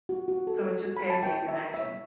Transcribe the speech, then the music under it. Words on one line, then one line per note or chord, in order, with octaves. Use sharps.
So it just gave me a connection.
F#4
F#4
A4
C#5
F#4
B5
F#4
A5
C#5 G5
E4
E5
E4
E5
C#5